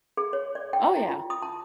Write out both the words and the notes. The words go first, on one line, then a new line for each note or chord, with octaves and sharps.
Oh yeah,
G#4
C#5
D5
G5
E4
F4
D#6
A5